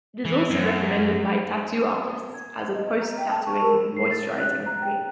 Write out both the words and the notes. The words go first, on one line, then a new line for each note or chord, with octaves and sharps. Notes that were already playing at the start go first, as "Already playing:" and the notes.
It is also recommended by tattoo artists as a post-tattooing moisturising cream.
E3
F#2
G#6
D#5
A#5
G5
A5
C#6
A#4
C7
A6
F#6
A#5
G5